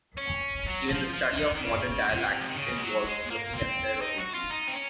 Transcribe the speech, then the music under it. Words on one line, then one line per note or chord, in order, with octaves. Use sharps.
Even the study of modern dialects involved looking at their origins.
C#4
F#3
F3
F3
D#3
D#3
C#3
C3
F3
D#3
C#3
G#3
F#3
G#3
A#3
C4
D#4
F#4
F4
D#4
C4
C#4